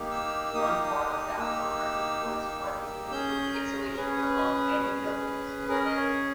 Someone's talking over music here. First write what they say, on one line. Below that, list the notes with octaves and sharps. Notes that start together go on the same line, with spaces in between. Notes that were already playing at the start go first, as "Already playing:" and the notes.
One part of that program was funding to improve insulation on many buildings.
Already playing: A#3 D#4 G4
E6
A#3 D#4 G4 D#6
D#6
D#6
A#3 D#4 G4 E6
A#3 D#4 G4
C#4 G#4 G6
A#5
C#4 G#4 B4
C#5
B4
C#4 G#4
C#4 G#4 A#4
D#5
C#5